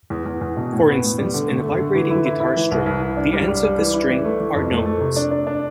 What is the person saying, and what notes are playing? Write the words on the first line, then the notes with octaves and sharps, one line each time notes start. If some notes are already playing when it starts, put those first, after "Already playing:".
For instance, in a vibrating guitar string, the ends of the string are nodes.
E2
E2
E2
B2
A2
B3
A2
G3
D3
A3
A3
D3
E3
E4
E4
E4
E3
C2
C2
C2
D4
G3
G3
G3
E3
E4
E3
A3
E3
F2
A3
A3
C3
D4
D4
D4